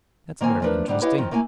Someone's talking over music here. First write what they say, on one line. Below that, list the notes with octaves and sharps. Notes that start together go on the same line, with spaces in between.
That's very interesting....
D#3 A#3 C4 G#5
F3 A3 D4 A#4 B4
G#2 D3 G3 D4
E4 G4 B4 C#5 D#5 F5
D#3 F3 C4
A3 A#3 E4 F5 G#5